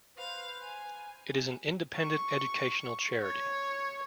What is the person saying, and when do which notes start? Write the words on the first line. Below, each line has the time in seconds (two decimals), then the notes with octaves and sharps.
It is an independent educational charity.
0.18 B4 C5 F5
0.62 G#5
1.98 C#6
3.23 C#5